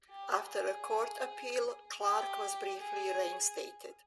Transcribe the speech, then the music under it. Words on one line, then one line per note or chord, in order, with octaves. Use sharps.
After a court appeal Clark was briefly reinstated.
G4
G#4
G4
G#4